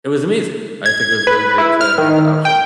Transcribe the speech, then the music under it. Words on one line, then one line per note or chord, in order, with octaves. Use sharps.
It was amazing. I think it was really great to have the option.
G#6
B4
E4
F6
D#3
G5